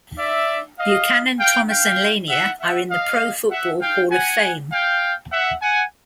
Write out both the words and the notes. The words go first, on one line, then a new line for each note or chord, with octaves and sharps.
Buchanan, Thomas and Lanier are in the Pro Football Hall of Fame.
D5 E5
D#5 F5
F5 G5
F5 G5
E5 F#5
E5 F#5
D#5 F5
E5 F#5
F5 G5
F#5 G#5
F5 G5
E5 F#5
F#5 G#5